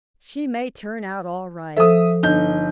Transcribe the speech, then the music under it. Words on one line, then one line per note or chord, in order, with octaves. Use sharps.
She may turn out all right.
F3 A4 C5 E5 D#6
G1 D4 D#4 G6